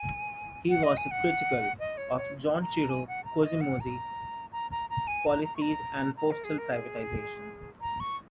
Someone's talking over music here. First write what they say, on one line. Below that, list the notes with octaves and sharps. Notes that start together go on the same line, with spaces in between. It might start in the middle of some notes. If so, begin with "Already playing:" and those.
He was critical of Junichiro Koizumi's policies and postal privatization.
Already playing: G#5
F#5
D#5
G#5
F#5
D#5
C#5
C#5
A#5
G#5
F#5
A#5
D#5
F#5
A#5
A#5
A#5
A#5
G#5
A#5
A#5
C#6
A#5
A#5
A#4
G#4
A#4
G#4
A#5
C#6